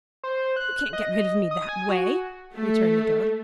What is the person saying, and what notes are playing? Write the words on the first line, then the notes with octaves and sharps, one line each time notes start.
"You can't get rid of me that way," returned the ghost.
C5
F#6
D#5
D#6
G#5
F#4
A3